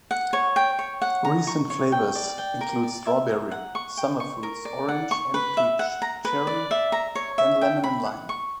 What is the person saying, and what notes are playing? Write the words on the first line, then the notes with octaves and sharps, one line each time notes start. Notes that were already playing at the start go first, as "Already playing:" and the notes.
Recent flavours include strawberry, summer fruits, orange and peach, cherry, and lemon and lime.
F#5
C#5
G5
C#5
F#5
A#5
C#6
C#5
G5
D5
G5
A#4
D5
E5
A#5
F#5
C#6
G5
C#6
A#4
D5
F#5
C#6
B4
E5
F#5
A#5
B4
D5
E5
A#5
C#5
E5
G5
B5
F#5
C#6